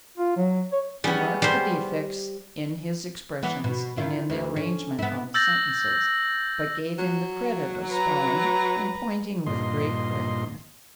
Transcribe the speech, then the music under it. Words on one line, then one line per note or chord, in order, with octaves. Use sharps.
He marked the defects in his expressions, and in the arrangement of his sentences, but gave him the credit of spelling and pointing with great correctness.
F4
F#3
C#5
G3 B3 C#4 G#4
G3 C5
E3 B3
B2
D#3 E4 F4
D2
C#4
B3 E4
E6 G6 A6 A#6 F#7
F#3
B4 A#5
G2 A#2 D#5 C6